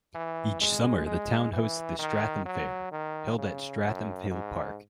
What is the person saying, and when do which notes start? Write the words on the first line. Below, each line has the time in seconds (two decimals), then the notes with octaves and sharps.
Each summer the town hosts the Stratham Fair, held at Stratham Hill Park.
0.15 E3
0.61 G#3
1.07 G#3
1.53 E3
1.99 D#3
2.46 F#3
2.92 D#3
3.38 C#3
3.84 F#2
4.30 G#2